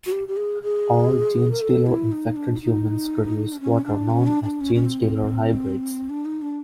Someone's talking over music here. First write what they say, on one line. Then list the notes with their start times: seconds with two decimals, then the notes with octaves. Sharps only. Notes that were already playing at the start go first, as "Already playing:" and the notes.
All genestealer-infected humans produce what are known as genestealer hybrids.
0.06 F#4
0.12 G4
0.28 G4
0.37 G#4
0.63 G#4
1.51 A#4
1.61 A4
1.87 E4
2.12 D#4
2.36 D4
2.57 E4
2.61 D#4
3.52 D4
3.60 C#4
3.85 D4
4.10 C#4
4.27 D4
4.43 D4
4.61 C#4
4.75 C#4
4.85 C4
6.10 D4
6.25 D#4
6.42 D4